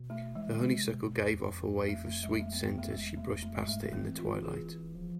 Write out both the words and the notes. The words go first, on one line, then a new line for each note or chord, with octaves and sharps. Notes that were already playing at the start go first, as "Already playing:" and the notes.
The honeysuckle gave off a wave of sweet scent as she brushed past it in the twilight.
Already playing: B2
A3
E3 G#3
D3
D3 G#3
C3
B2
B2
E2
F2
A3
A3
G#3
A3
B3
B3
A3
E2 G#3
A3
F2 A3
G#3
G#2 A3
A3
E3 C4
F4
G#4
F3